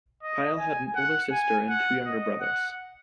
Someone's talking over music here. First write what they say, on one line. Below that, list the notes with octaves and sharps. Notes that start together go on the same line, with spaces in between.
Pile had an older sister and two younger brothers.
D#5
G#5
F#5
G#5
F#5
D#5
F#5